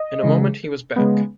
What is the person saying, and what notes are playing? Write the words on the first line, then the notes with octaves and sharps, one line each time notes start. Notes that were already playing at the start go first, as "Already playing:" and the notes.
In a moment he was back.
Already playing: D#5
C#3 E3 G#3
C#3 G#3 B3